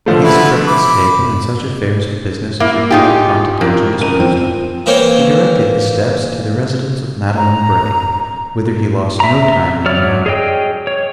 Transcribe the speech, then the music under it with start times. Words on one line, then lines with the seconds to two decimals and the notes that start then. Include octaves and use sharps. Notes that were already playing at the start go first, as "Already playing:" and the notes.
A hasty breakfast taken, and such affairs of business as required prompt attention disposed of, he directed his steps to the residence of Madeline Bray: whither he lost no time in arriving.
0.06 D3 F3 A3
0.22 E4 F#4 B4
0.67 B5 D6
2.60 A#3 E4
2.91 D#4 F4 G4 G#4
3.61 F2 F4 A#4
4.01 F#1 A#4 D#7
4.20 F3 C4
4.86 E3 A#3 C5 C#5 G5
7.37 A#5
9.20 E5 A#5
9.86 F#3 C#5 D5 F6
10.26 G#4 C#5 D#5 G5
10.87 C#5